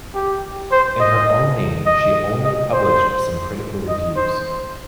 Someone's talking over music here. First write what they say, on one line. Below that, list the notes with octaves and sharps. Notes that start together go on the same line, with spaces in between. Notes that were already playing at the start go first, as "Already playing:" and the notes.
In her own name, she only published some critical reviews.
G4
C5
D#5
D#5
D#5
C5
D#5
C5